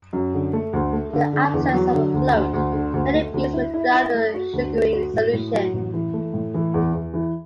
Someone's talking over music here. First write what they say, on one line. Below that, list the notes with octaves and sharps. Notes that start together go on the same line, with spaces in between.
In the absence of a float, many bees will drown in the sugary solution.
F#2
D3
A3
D2
A3
D3
D3
E2
F#3
D3
D2
D2
D2
D3
D2
A3
D2
E4
E4
E4
A3
F#4
D2
A3
F#4
A2
A2
F#3
A1
E3
A3
A2
E3
E2
E2
E3